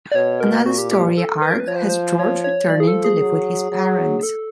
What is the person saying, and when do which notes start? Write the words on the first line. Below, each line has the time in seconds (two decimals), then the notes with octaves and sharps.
Another story arc has George returning to live with his parents.
0.12 D5
0.15 B2 C#5
0.40 A#4
0.66 A#2 F#4
0.78 G4
0.92 G4
1.18 A4
1.42 B4
1.50 A#4
1.60 B4
1.68 F3 C#5
1.76 C5
1.82 B4
1.89 C5
2.19 C#5
2.44 C#5
2.70 F3 D5
2.80 G#4
2.87 A4
3.04 G#4
3.21 F#3
3.72 F#3
4.23 A4